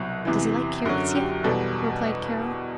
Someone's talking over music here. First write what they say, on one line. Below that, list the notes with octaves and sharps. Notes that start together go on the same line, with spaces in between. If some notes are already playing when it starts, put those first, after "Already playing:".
"Does he like carrots yet?" replied Carol.
Already playing: C2 B2 F#3 F#4
E2 C3 E3
F#2 D3 F#3 F#4
G4
E2 B2 G3 A4